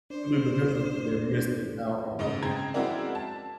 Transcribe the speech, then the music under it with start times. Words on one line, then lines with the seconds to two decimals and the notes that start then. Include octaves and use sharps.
simply because of the fact they're missing out on,
0.10 D4 C5
2.19 G#2 C#3 D#5
2.42 C#3 C4 A#5 G#6
2.74 G#3 C4 E4 F#4 A#4 D5
3.15 A5